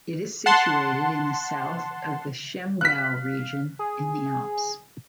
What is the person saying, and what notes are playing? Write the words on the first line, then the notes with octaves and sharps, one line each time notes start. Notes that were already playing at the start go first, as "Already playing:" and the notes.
It is situated in the south of the Chiemgau region in the Alps.
F#5 A5 C6
F5 F#6 B6
G#4